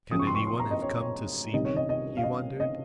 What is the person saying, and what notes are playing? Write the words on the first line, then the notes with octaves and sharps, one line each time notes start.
"Can anyone have come to see me?" he wondered.
F#2 C#3 F3 D#6
C#6
C6
C#6
C6
A#5
D#5
C#5
C#5
C2 C3 D#3 D#5
C#5
D#5
D#5
F5
D#5
D#5